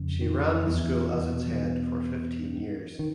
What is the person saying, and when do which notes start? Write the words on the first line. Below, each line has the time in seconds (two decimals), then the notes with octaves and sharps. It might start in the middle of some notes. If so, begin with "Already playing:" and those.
She ran the school as its Head for fifteen years.
Already playing: F2 C#3
0.21 D#3
0.67 E2 E3
1.13 E2 B2
2.99 D#3